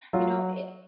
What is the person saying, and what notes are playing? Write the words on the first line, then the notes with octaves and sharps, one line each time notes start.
you know, i
F#3 F4